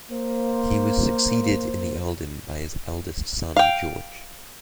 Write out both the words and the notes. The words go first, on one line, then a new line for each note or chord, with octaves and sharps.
He was succeeded in the earldom by his eldest son George.
A#3 C5
F5 G5